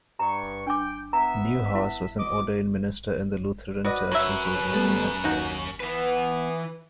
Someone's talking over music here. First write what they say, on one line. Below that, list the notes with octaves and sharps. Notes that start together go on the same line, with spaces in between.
Neuhaus was an ordained minister in the Lutheran Church-Missouri Synod.
G2 A#5 C#6
D4 G5 D6
B3 E5 A#5
E4
B2 D#5 D6
F#4 B4 D5 D#5
F#2 F#3 C#5 E5
G3 A3 B3
D#2 D#4 F#4 F#5
E3 B3 B4